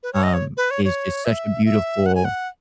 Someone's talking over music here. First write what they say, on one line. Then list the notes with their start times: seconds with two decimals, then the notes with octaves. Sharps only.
um, is just such a beautiful,
0.03 B4
0.13 C#5
0.23 D#5
0.34 C#5
0.57 B4
0.71 C#5
0.85 C#5
1.25 E5
1.66 E5
2.06 F#5
2.15 G#5
2.25 F#5